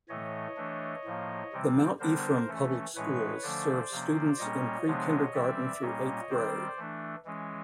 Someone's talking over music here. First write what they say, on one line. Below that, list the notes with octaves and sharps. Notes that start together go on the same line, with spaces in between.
The Mount Ephraim Public Schools serve students in pre-kindergarten through eighth grade.
A2 E3 A3 C#5 D#5
E3 A3 D4
A2 F3 A#3
C3 E3 G3 C4
D3 G3 B3 D4 A#4 C5
E3 A3 C#4
A2 E3 G#3 C#4 B4 C#5
D3 F3 A3 C#4 C5 D5
C3 F3 A#3 C#4
A#2 G3 A#3 C#4 C#5 D#5
C3 F3 G#3 B3 D4
E3 G3 C4 D5 E5
A#2 G3 A#3 C#4 C#5 D#5
D#3 G3 C4 C5 D5
E3 A3 D4
E3 G#3 C#4